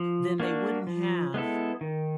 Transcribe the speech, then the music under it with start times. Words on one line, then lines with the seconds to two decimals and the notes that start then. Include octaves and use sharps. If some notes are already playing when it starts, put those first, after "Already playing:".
then they wouldn't have
Already playing: F3
0.40 A#3 D4 F#4
0.87 F3
1.34 G#3 B3 E4 A4
1.81 D#3